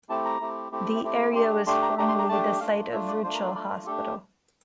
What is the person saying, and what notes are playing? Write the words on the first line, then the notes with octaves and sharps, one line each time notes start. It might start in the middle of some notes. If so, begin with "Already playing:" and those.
The area was formerly the site of Ruchill Hospital.
A3 C4 E4 G4 A5
A#5
A3 C4 E4 G4
A3 C4 E4 G4
A3 C4 E4 G4
A3 D4 G4 C6
A3 D4 G4 C6
A#5
A3 D4 G4 A#5
C6
A#5
A3 D4 G4 A5
A3 D4 F4 F5
A3 D4 F4 E5
D5
A3 D4 F4 C5
A#4
A#4
A3 D4 F4 D5
A3 D4 G4 A4